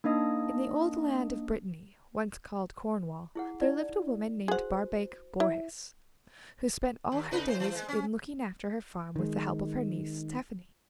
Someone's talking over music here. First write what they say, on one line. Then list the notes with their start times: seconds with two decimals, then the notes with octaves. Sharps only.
In the old land of Brittany, once called Cornwall, there lived a woman named Barbaik Bourhis, who spent all her days in looking after her farm with the help of her niece Tephany.
0.04 A#3 D4 D#4 D#5 D#6
3.35 E4 G#4 F#5
3.61 D#4 E4 D5
4.48 F#4 G#4 C5 F#5
5.40 E4
7.12 D#2
7.31 C#3 D#4 B4
7.46 A2 A4 C5
7.60 E3
7.75 G#3
7.88 C#4
9.16 D#3 G#3